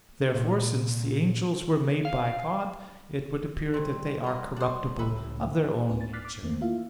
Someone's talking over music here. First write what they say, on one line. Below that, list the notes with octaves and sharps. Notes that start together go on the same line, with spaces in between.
Therefore, since the angels were made by God, it would appear that they are corruptible of their own nature.
A#2
F5
D#3 G3 C4
F4 A#4
D4 C5
C#2 A2 C#3 D#4 B4 E5
D2 B3 D4 D#4 B4
A6
D6 F6 F#6 A6 B6 C7
D6
E2 D#3 A3 A#3 C4
A#3 E4 F4 E5 F5